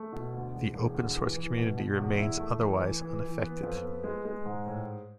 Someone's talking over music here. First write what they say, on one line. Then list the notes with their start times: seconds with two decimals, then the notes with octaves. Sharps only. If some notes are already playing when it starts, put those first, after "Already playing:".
The open source community remains otherwise unaffected.
Already playing: A3
0.12 B2
0.33 D2
0.53 E1
0.74 E1
0.94 D2
1.15 E3
1.36 E3
1.57 B2
1.77 B2
1.98 E2
2.18 E4
2.39 A3
2.59 E3
2.81 E3
3.01 E3
3.21 E3
3.42 B3
3.63 F2
3.83 B3
4.03 G#3
4.25 G#3
4.45 G#2
4.66 A2